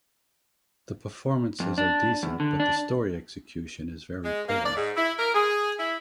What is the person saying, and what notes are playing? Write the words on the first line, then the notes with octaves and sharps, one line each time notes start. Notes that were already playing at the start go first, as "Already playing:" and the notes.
The performances are decent but the story execution is very poor.
F2
D4
E2
D3
D4
G#3
A#3
D5
G#2
E4
A#4
G#4
E4